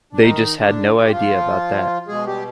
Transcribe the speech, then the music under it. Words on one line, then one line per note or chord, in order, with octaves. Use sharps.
They just have no idea about that.
D4
D#3 D#4
D3 D4
F4
G4
F3 F4
B2 G#3 G#4
G3 G4